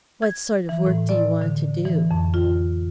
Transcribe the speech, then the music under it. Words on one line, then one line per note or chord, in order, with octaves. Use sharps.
"What sort of work do you want to do?"
G#6
E3
A2
D5
D3
E3
F2
F4